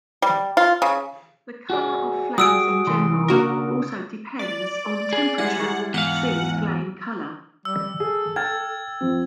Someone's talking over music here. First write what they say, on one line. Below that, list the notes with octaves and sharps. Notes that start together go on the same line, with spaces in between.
The color of flames in general also depends on temperature; see flame color.
G3
F4
C#3
F#4 G#4 D5
G3 F#4 G#4 D#6 E6 D7
C2 E3 C6
C#3 A#3 D4 F#4 A#4
D5
G#4
G3 G#3 E4 F#5
E2 G#2 F5 F#5
G3 E6
G#4 A4
G5 F6 G#6 A6
F2 F3 C4